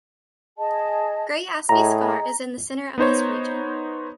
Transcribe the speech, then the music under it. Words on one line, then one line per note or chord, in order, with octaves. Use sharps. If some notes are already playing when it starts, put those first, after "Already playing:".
Great Asby Scar is in the centre of this region.
G#4 D#5 A5
A2 G#4 D#5 A#5
B3 D#4 C5 C#5